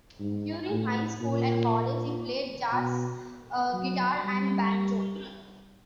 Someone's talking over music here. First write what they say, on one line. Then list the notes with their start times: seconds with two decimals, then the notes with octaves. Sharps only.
During high school and college, he played jazz guitar and banjo.
0.20 G#2
0.70 A2
1.21 A#2
2.72 B2
3.73 F#3
4.24 G3